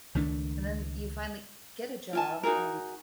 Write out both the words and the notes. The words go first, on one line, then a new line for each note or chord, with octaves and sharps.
and then you finally get a job, and
C#2 D#3 A3 D4
F4 G#5 A5
D#4 F#4 G#4 A#4